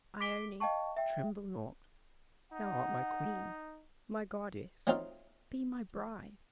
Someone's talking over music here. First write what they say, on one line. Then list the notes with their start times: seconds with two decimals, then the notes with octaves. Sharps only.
Ione, tremble not, thou art my queen--my goddess--be my bride!
0.20 D6 B6 D7 G7
0.60 D#5 F5 G5 A5 C#6
0.97 E5 G5
2.52 D#4 F#5
4.87 F3 F#3 A3 C4 D#4 F4